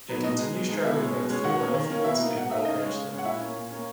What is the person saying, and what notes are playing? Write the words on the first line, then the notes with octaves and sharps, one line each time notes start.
It continues traveling north through oil fields and rural ranch land.
F#3 B3 D#4
B2 D#4 D#5
G#3 D#4
B2
G#3 D#4
B2 E4 E5
G#3 C#4
B2
G#3 C#4
D#3 F#4 F#5
A#3 C#4
D#3
A#3 C#4
B2 E4 E5
A#3 D#4
B2 F#5
A#3 D#4 E5
C#3 D#4 D#5
G#3 C#4
C#3
G#3 C#4
F#5
A#2 E4 E5
A#3 C#4
A#2
A#3 C#4